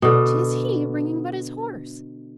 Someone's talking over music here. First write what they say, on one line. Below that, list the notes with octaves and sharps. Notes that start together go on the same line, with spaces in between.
'Tis he bringing but his horse!
B2 D3